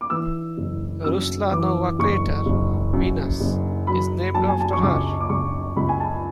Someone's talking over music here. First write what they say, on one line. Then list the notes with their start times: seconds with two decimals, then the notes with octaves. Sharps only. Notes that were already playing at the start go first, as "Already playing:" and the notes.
Ruslanova crater on Venus is named after her.
0.01 D6
0.10 E3 E6
0.58 F#1
1.04 F#2 E6
1.52 E3 D6
1.99 F#1 C#6
2.46 F#1
2.93 F#2
3.41 F#1
3.87 F#3 B5
4.35 F#3 A5
4.48 G#5
4.60 A5
4.73 C#6
4.82 C#2 D6
5.20 D6
5.30 C#2 C#6
5.76 C#2 B5
5.89 G#5
6.00 A5